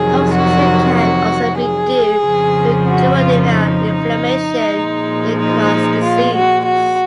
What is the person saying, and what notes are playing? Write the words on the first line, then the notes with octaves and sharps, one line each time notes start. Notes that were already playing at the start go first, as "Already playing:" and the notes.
Obstruction can also be due to duodenal inflammation in Crohn's disease.
Already playing: F2 C3 D#3 F#3 G#4
F#4
F#4
G#4
F2 C#3 F3
F#4
F4
D#4
A#2 F3 G#3
D#4
F4
F#4
F#4